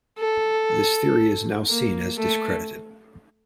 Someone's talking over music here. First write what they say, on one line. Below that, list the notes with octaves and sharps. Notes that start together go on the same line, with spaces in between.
This theory is now seen as discredited.
A4
A#3
A3